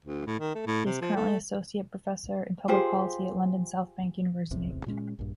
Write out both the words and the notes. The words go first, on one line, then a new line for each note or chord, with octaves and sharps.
He is currently Associate Professor in Public Policy at London South Bank University.
D2
A2
D#3
A3
A2
C3
F3
A3
F4 G4 G#4 C5
D1 A1 E2 C3
A#2 G#3 C#4
A#1 G2